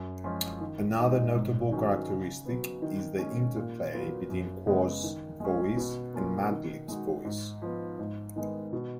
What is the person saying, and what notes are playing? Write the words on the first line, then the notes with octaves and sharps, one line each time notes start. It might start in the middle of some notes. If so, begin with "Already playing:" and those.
Another notable characteristic is the interplay between Quas' voice and Madlib's voice.
Already playing: F#2
F3 G#3 C#4 F4
D#3
G#3 D#4 F#4
G#2
D#3 F#3 C#4
C#3
F#3 B3
D#3
G#3 C#4
A#2
F#3 B3 F4
F#2
C#3 G#3 B3
D#3
G#3 C#4
B2
A#3 C#4 F4
D#3
G#3 D#4 F#4
G#2
F3 B3
G#2
D#3 G#3 B3
B2